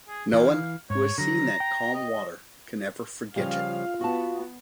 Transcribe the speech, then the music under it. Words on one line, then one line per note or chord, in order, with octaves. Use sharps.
No one who has seen that calm water can ever forget it.
G#4
E3 F5
G#2 C#5
D3 F#3 A#5
G5
D#5
C#3 F3 G3 F5
F4
B3 F#4 A5